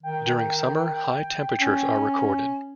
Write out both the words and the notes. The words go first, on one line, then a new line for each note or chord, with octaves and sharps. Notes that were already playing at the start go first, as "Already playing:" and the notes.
During summer, high temperatures are recorded.
D#3 G5
C#4